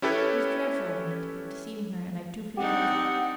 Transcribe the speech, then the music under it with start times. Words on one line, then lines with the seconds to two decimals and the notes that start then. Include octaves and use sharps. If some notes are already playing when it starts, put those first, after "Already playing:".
It is dreadful of me to be deceiving her and I do feel guilty.
0.02 C#4 E4 G4 A4 B4 C#5
2.57 C4 D4 D#4 G4 F#5